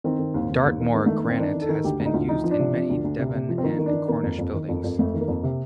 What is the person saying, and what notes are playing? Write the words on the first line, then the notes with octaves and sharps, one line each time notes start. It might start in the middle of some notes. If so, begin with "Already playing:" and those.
Dartmoor granite has been used in many Devon and Cornish buildings.
D#3 C4
D#3
D#2
D#2
D#2
D#3
D#3 A#3
D#3 A3
A#3
D#3 C4
D#3 D4
D#3
A4
D#3
D2 G4
D2
D#4
D2 F4
F3 D#4
F3
D4
C3
F3
D2
D2
C3
C3
F3
C4
D#3 A#3
D#3
D4
D#3
D#3 A#3
F2
F2
D#3
F2
F2
F2 A3
D#3
A#3
F2
C3